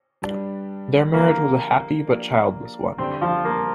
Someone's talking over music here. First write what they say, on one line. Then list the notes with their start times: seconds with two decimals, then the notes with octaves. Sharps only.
Their marriage was a happy, but childless one.
0.22 G2 G3 D4 G4
1.14 D3 F3 A#3 C4 G4
2.07 F3 A#3 D4 G4
2.98 G2 D3 G3 C4 D4 G4
3.21 F3 F4
3.45 A#3